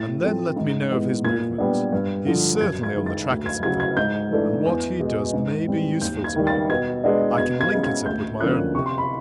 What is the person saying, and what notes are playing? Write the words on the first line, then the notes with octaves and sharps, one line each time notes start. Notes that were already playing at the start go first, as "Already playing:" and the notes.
And then let me know of his movement--he's certainly on the track of something, and what he does may be useful to me--I can link it up with my own work.
Already playing: A2 A6
F3 A3 C4
G#2
E3 G#3 B3
A#2 G#6
G3 B3 D4
G2
D3 F3
F#2 G#6
G#6
D#3 G#3
A6
D2
G#6
C#3 F#3 G#6
G#6
G#2 G6
E3 A3 D4
E2
B2 G#3
G#2
E3 G3 C4
D#2 G6
G#6
D#3 G3
A6
B2 G#6
G#3 B3 D4
B2 G#6
G#6
G#3 C#4
G#6
D2 G6
D3 F3 A#3 C#4 F#6
C3 C#6
C6
B5